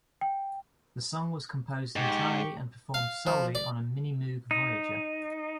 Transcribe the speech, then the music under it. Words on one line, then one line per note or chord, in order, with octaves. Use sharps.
The song was composed entirely and performed solely on a Minimoog Voyager.
G5
G#2 G4 C#6
F5
F3
D5
D#4